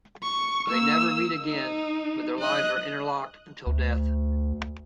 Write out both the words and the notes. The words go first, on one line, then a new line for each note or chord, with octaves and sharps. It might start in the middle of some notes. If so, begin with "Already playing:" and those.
They never meet again, but their lives are interlocked until death.
C#6
A#3 E6
D#4
D#5 F#6
D2